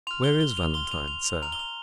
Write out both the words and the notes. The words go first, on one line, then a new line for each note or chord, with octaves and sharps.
Where is Valentine, sir?
C6 F6 F7
G7
G7
F7
C6 F6 G7
F7
F7
F7
A#5 F6 F7
G7
F7